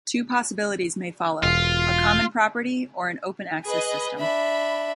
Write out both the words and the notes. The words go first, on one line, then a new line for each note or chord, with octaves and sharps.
Two possibilities may follow: a common property or an open access system.
E1 F4
G#4 B4 D#5
D4 E5 B5